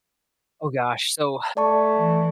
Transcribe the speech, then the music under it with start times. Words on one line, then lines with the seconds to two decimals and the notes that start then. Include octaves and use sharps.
Oh gosh, so,
1.57 A3 D5 A5 C#6
1.96 E3